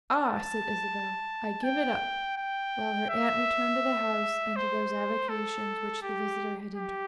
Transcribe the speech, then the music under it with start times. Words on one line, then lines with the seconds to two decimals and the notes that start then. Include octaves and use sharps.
"Ah," said Isabel, "I give it up!"--while her aunt returned to the house and to those avocations which the visitor had interrupted.
0.18 A5
1.64 G5
2.37 G5
3.10 E5
4.56 C5
5.29 A4
6.03 G4
6.76 G4